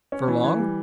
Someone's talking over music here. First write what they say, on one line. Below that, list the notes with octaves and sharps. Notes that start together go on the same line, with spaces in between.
"For long?"
C#4
E3
E3
G3